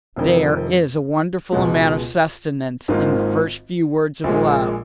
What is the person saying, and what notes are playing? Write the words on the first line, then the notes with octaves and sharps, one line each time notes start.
There is a wonderful amount of sustenance in the first few words of love.
F1 F2 D#3
C#2 B2 G#3
G#1 G#2 D#3 A#3 F4
A#1 A#2 G#3